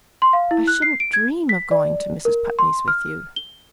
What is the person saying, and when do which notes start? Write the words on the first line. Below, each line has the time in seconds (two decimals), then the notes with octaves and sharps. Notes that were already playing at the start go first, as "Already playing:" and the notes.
"I shouldn't dream of going to Mrs. Putney's with you."
0.22 C6
0.33 F5
0.51 E4
0.67 F#6
0.82 C7
1.00 D7
1.13 G#6
1.49 B6
1.71 D5
2.25 A#4
2.59 C6
2.88 F6
3.36 G7